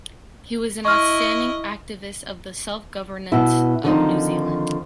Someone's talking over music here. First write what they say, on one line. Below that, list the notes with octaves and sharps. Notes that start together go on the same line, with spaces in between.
He was an outstanding activist of the self-governance of New Zeeland.
E4 D#5 C#6 F6
B2 E4
D3 D#3 F3 C4 D#4